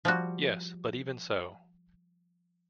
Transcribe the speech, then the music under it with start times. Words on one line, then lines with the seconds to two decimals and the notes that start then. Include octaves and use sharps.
Yes, but even so.
0.05 F3 G3 F#4